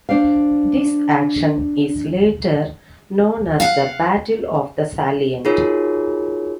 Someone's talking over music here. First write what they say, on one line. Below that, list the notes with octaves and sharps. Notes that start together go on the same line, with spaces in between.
This action is later known as the Battle of the Salient.
D4 C5 D5 F5
F5 F#5
D#4 F4 F#4 G#4 A#4 C#5